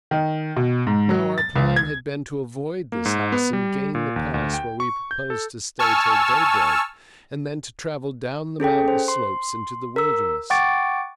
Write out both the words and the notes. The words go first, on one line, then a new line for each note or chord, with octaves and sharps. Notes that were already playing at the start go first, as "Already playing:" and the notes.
Now, our plan had been to avoid this house and gain the pass, where we proposed to stay till daybreak, and then to travel down the mountain slopes into the wilderness.
D#3
B2
G#2
F#3
A6
C#2
G#6
A#3
G#2
B3
G3
A#2
D#2
D2
G5
C#6
G6
A4
G#5 A5 C#6 E6 F6
C#4 G#4 A4 G5
C5
C6
A#4 E6
F#5 G5 C#6 D6 A6 D7